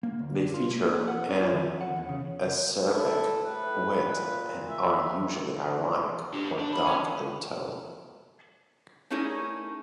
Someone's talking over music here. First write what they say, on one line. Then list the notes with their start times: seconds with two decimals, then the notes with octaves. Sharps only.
They feature an acerbic wit and are usually ironic or dark in tone.
0.03 A#3
0.19 D2
0.35 D4
0.54 F4
0.71 A#3
1.08 F#5
1.29 C#4
1.40 F4
1.53 D#3
1.81 F#5
1.96 E2
2.09 C#3
2.87 A3 E4
3.45 A2 B4
4.07 A#2
4.70 E5
6.33 D4 G4
6.58 D4
6.73 B5
6.86 C#4
9.10 A3 C#4 D#4 E4 G#4 A#4